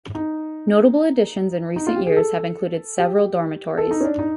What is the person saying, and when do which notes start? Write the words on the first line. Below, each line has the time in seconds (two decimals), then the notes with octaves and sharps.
Notable additions in recent years have included several dormitories.
0.15 D#4
1.76 D#4
1.87 F4
1.96 G4
2.07 G#4
2.17 A4
2.98 G4
3.78 A4
3.91 D#4
4.01 C#4
4.05 D4
4.19 D#4